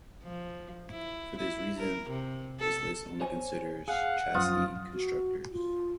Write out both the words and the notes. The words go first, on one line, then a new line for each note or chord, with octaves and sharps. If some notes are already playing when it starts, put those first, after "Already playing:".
For this reason, this list only considers chassis constructors.
F3
E4
E4
A#4
C3
A4
C5 C#5 G#5
G#4 F5 F#5
F#2 F3 F4 D#6
F#4
F4